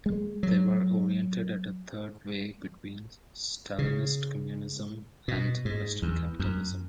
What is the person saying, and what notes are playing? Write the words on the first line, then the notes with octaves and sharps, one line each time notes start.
They were oriented at a Third way between Stalinist communism and western capitalism.
G#3
F#3
C#3
B2
G#2
E2
F#2